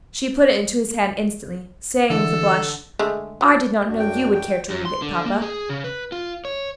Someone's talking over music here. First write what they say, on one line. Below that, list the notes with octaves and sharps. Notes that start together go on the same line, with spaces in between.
She put it into his hand instantly, saying, with a blush, "I did not know you would care to read it, papa."
D3 E3 A4
D3 G#3 A3
F#3
F#2 D4 F#4
G5
G5
F#2
C6
D3
A#3
G#4
C#3
B4
F4
C#5